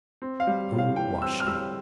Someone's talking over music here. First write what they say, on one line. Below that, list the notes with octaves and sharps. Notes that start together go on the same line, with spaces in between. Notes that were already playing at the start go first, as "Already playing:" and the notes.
Who was she?
C4
F5
G3
A2
F5
E3 G5
C4 E6
F6
G3 E6